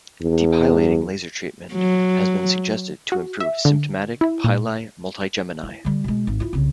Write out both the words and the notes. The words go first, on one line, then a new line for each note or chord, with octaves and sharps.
Depilating laser treatment has been suggested to improve symptomatic pili multigemini.
E2
F#3
F#4
E5
D3
E4
A#2
E4
D3 G3
B2 G#3
G#1
E4 F4
C2 C#3